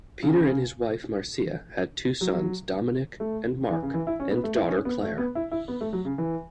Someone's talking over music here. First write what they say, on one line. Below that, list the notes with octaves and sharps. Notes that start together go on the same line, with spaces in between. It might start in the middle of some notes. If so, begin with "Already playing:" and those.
Petre and his wife Marcia had two sons Dominic and Mark and daughter Clare.
C#3
F#3
A3
E3
C#3
E3
E4
C#4
B3
A3
E4
C#4
B3
A3
B3
E4
E4
B3
A3
F#3
C#3
E3